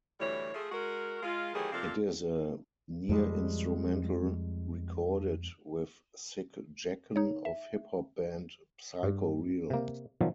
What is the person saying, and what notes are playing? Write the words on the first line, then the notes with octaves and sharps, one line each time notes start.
It is a near-instrumental recorded with Sick Jacken of hip-hop band Psycho Realm.
D2 A2 E3 G3 C#5
F3 A3 G#4
G#3 F#4 A#4
G#3 F4
D#3 E3 F#3 A3 G4 G#4
C3 F3 A#3 D4 F4 A4
F2 F3 G3 G#3
D#4 C#5
E5
G2
C3 A#3
B2 D#3 F3 F#3